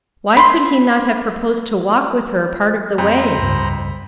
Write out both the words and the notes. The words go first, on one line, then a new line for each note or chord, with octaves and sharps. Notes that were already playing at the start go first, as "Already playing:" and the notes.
Why could he not have proposed to walk with her part of the way?
B5 C6
F2 C5 A#5 B5
C#2 G2